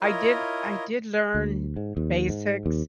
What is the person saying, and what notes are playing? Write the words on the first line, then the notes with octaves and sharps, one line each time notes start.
I did I did learn basics,
E4 F4 A#4 C#5 D#5
D2
G#2
D#2
G#2
D#2